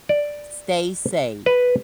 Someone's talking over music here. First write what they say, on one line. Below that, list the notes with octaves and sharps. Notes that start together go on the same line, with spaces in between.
stay safe.
D5
B4